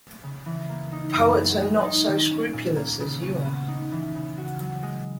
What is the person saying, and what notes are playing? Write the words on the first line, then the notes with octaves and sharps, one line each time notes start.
Poets are not so scrupulous as you are.
C#3
E3
A#3
D#4
F#2
B3
G#3
D#4
D#3
C#4
A#2
A#3
C#3
C#4
B3
D#4
E3
C#3
F#4
F#3
G#3